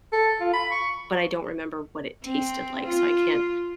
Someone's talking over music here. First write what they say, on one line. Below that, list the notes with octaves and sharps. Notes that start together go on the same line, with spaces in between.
but I don't remember what it tasted like, so I can't
A4
F4
B5
C#6
C4
F4